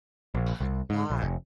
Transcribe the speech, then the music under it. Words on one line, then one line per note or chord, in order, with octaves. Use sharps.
Uh, not,
A#1
C2
G#2
A#1
F1